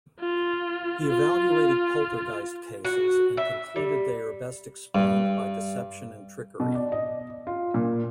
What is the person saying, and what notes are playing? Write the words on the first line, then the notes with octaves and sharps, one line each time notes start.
He evaluated poltergeist cases and concluded they are best explained by deception and trickery.
F4
F4
F#4
E5
G3
G2
B2
D5
D#5
F4
A#2